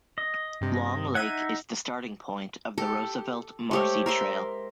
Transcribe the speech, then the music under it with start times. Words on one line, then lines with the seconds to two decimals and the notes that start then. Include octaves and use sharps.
Long Lake is the starting point of the Roosevelt-Marcy Trail.
0.18 D#5
0.61 G2 C3
1.15 D#4 E5 F#5 G#6 D#7
2.78 G4 A4
3.71 G#3 A3 G4 C5 C#5
4.06 A#4 E5 C6